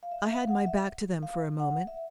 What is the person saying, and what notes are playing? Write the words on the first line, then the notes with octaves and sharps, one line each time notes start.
I had my back to them for a moment.
F5
E5
E5
F5
F#5
E5
F5
F#5
E5